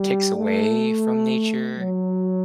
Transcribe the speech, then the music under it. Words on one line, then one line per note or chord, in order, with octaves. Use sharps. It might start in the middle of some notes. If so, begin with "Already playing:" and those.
takes away from nature?
Already playing: G3
A3
F#3